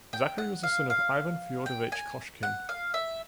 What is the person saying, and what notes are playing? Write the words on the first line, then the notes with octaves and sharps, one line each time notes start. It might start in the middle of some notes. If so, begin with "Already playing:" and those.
Zakhary was a son of Ivan Fyodorovich Koshkin.
G5
F#5
F5
F5
G5
G#5
F#5
F5
E5